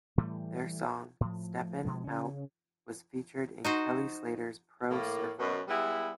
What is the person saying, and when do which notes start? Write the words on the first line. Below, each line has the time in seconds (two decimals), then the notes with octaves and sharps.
Their song "Steppin' Out" was featured in Kelly Slater's Pro Surfer.
0.18 A2 E3 G3 A3
1.21 A2 F3
1.85 B2 F3 G#3
2.04 C#3 C#4
3.64 D#4 F#4 C5
4.91 A2 A#3
5.39 F#2 B2
5.68 G3 G#3 B3 E4